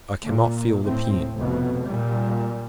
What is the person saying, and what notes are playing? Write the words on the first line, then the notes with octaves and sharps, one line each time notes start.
I cannot feel the pen.
A#2
A2 C4
F1 F2 B2
A#2 G3